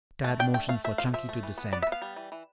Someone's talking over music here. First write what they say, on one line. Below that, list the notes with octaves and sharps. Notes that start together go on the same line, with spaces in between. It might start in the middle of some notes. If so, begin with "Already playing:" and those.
Tad motioned for Chunky to descend.
A3 A5
D4 G5
A3 G5
A3 F5
A3 E5
F3 F5
F3 E5
A3
E3
B3
B3 D5
E5
B3
F5
G3
E3
E3